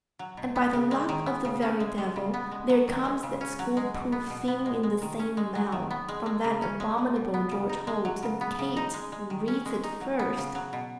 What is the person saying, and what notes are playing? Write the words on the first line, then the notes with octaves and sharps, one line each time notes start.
And by the luck of the very Devil, there comes that school-proof thing in the same mail, from that abominable George Holt, and Kate reads it FIRST.
F#3
B2
B3
C#3
G#3
D#3
B3
C#3
C#4
G#3
G#3
C#3
B3
G#3
F#3
D#3
G#3
C#3
C#4
F#3
G#3
B2
B3
B2
B3
G#3
G#3
D#3
C#4
G#3
F#3
D#3
B3
G#3
G#3
C#3
C#4
G#3
G#3
B2
B3
C#3
D#4
G#3
F#3
C#3
B3
C#3
D#4
G#3
G#3
D#3
C#4
G#3
D#4
F#3
B3
C#3
F#3
B2